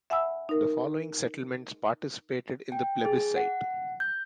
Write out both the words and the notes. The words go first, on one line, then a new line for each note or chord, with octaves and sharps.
The following settlements participated in the plebiscite.
E5 F#5 G#5 B5 E6
D#4 A#4
G5
G#4
F#5
G6